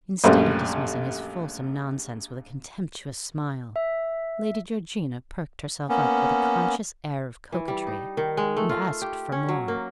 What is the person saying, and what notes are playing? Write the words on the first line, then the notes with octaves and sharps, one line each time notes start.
Instead of dismissing his fulsome nonsense with a contemptuous smile, Lady Georgina perked herself up with a conscious air of coquetry, and asked for more.
A#1 F#2 G3 A3 C5
E5
A#3 B3 C#4
E3
G3
D#4
D#3
G#3
A3
F4
G4
C#4
F#3
A#3